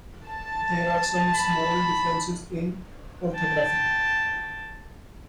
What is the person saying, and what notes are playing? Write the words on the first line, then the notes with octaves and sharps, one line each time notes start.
There are some small differences in orthography.
A5
B5
G5 A5